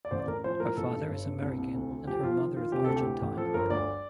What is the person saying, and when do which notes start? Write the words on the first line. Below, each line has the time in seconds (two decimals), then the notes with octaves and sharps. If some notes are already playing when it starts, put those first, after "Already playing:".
Her father is American and her mother is Argentine.
0.05 D5
0.11 A1 C5
0.20 D5
0.27 A1 A#4
0.44 F3 C5
0.60 A2 A#4
0.77 A1 A4
0.93 G2
1.09 G1
1.26 G2
1.42 C2
1.58 C2
1.74 D2
1.91 D2
2.07 F3 G4
2.23 F3 F4
2.40 D#3
2.56 D#3 F4
2.72 C3 G4
2.84 D2 A4
2.96 G4
3.05 A2
3.22 A1
3.37 F3 A4
3.54 G1 A#4
3.70 D2 D5